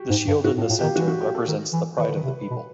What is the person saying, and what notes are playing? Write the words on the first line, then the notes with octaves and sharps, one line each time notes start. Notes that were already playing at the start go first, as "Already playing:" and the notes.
The shield in the centre represents the pride of the people.
Already playing: F#4 G4
G#2
G2
G#2 F#4
A2
F4
A2
G4
D#3
E3 F#4
F#4
G4
A4
D#3
E3
D#3 B4
D3
D#3
C3
B2